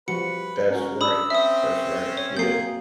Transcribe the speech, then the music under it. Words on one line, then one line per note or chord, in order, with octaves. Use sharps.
That's right. That's right. Yeah,
F3 G3 F#4 B4 C#7
C#4 F#4 A#4
D4 B5 D#6 E6
C4 C#4 E5 D#6
C#5
F#3 A#3 C4 G#4 G6 C7